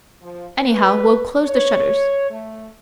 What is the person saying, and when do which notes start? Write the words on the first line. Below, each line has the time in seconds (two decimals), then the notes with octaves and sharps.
Anyhow, we'll close the shutters.
0.21 F3
0.61 B4
1.41 C#5
2.29 A3